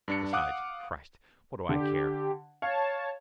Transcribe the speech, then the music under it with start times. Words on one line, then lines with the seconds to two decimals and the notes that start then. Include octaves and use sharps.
Besides, Christ! what do I care?
0.08 G2 D4 C#7
0.33 F5 F#5 D6 D#6 F#6
1.69 D3 G4
2.62 C#5 F5 A5